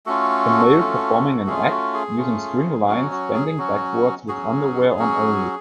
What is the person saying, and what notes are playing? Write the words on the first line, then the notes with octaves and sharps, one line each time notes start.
A male performing an act using string lines bending backwards with underwear on only.
A3 C#4 F4 F#4 A4
A3 C#4 F4
A3 C#4 F4 G#4
F#4
G#4
A3 C#4 F4
F#3 C#4 F#4
F#4
G#4
F#3 C#4 F#4
F#3 C#4 F#4 G#4
F#3 C#4 F#4